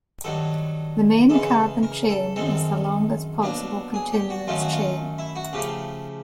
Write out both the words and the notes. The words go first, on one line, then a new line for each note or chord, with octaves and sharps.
The main carbon chain is the longest possible continuous chain.
G2 D#3 F#3 A4
C#3 E3 G#3 A4
A#4
A4
F#2 D#3 G#3 C4 A4
B2 F#3 A#3 D4
G#4
G4
F#4
F#2 D#3 F#3 A3 C#4 F4
F#4
F4
E4
F#4
C#3 F3 A3 G4